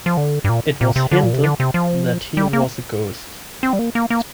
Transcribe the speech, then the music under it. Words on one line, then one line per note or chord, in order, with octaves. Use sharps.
It was hinted that he was a ghost.
F3
D3
G2
A#2
A#2
C3
D3
A#2
C3
D3
C3
F3
G3
A#3
C4
G3
A#3
A#3
A#3